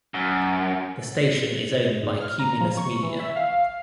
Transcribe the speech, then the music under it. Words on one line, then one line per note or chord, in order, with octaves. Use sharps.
The station is owned by Cumulus Media.
F#2
G#2
F6
A#5
F3
C#6
E3
E5
F5